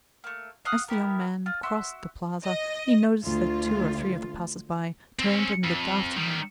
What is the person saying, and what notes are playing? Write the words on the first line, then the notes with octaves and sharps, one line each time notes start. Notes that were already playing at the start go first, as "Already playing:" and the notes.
As the young man crossed the plaza he noticed that two or three of the passers-by turned and looked after him.
A3 A#3
F5 F#5 D#6
B3 E4 G4 A#4
F4
F#4 E5 C6 E6
D#5
D2 F4
C4 C#4
F2
D#3 G3